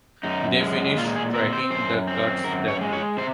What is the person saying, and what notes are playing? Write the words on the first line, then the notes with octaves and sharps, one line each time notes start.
They finished tracking the cuts that week.
F#2 D#4
G#3
A#2 F4
G#4
C4 A#4
C5
F#2 C5
C4
F#2 A#4
C#5
G#3
C#5
C3 C5